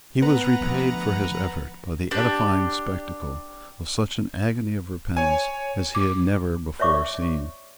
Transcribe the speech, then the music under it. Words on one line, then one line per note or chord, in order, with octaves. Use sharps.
He was repaid for his effort by the edifying spectacle of such an agony of repentance as he had never before seen.
B3 B4 F#5 A#5
D2 D3 F3
D4 G4
C#5 G#5
D6
C#5 D5 E5 C#6 D6